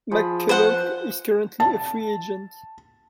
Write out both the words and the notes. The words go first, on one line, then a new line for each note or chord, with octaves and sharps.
McCullough is currently a free agent.
F3 G#4 B5
C5 F#5
A5